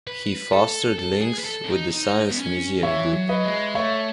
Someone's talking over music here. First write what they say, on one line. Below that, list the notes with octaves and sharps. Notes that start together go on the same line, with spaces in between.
He fostered links with the Science Museum Group.
B4
A4
A4
G#4
B4
A4
C#4
D#4
D#4
B3
C#4
E3 C#5 E5
F#3
B4 D#5
G#3
A3 C#5 E5